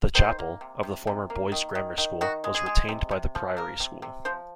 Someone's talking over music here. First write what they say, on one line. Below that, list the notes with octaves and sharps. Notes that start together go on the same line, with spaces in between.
The Chapel, of the former Boys Grammar School, was retained by the Priory School.
D#3 C5
A#3
C3
C3
C3
A#3
D#3
D#3
D#3
D#3 F#4
G#3
G#4
G#3
C3
C3
F3
A#3 A#4
C3
C3
F3 C5